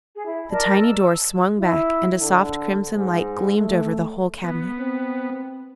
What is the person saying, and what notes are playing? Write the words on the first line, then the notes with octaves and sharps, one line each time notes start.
The tiny door swung back, and a soft crimson light gleamed over the whole cabinet.
G#4
E4
A#4 D5 D#5 A5
E6
E4
D3
G#2
A3
B3
C4